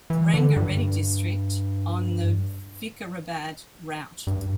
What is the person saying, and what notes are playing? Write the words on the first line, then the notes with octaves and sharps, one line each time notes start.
Ranga Reddy District on the Vikarabad route.
E3
D3
G2
G2